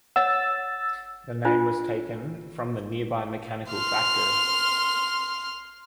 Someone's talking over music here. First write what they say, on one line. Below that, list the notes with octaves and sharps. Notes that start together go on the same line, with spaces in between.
The name was taken from the nearby mechanical factory.
C#5 F#5 E6 A6
D4 F4 C5
C6 F6